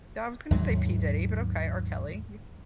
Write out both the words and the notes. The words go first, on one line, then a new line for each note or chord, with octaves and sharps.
I was gonna say P Diddy, but okay, R. Kelly.
D#2 G#2 F#3